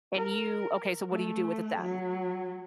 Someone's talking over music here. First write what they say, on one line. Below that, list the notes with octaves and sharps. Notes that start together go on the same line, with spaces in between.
And you okay, so, what do you do with it then?
A#4
A3
F#3